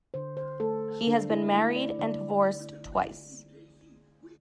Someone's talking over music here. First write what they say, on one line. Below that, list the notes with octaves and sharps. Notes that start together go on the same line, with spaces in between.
He has been married and divorced twice.
D3 C5
C5
A3 A4
D3 D4
E4
A3 E4
D5
D3 D5